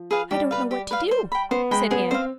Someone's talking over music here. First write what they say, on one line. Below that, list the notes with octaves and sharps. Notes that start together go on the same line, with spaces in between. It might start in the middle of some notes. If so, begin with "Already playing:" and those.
"I don't know what to do," said Anne.
Already playing: F3
G#4 B4 F5
G3 G4
B4 F5
G4
B4 F5
C5
G5 B5
B3 C5
G#3 G5 B5
B3 G#4
C4 C5 F5